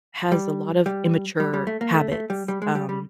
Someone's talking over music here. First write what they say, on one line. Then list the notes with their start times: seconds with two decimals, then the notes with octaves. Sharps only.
has a lot of immature habits, um.
0.32 G3
0.86 G3
1.40 G3
1.54 G3
1.67 A3
1.81 A#3
1.94 A3
2.12 A3
2.30 G3
2.48 G3
2.62 G#3
2.75 G3
2.89 G3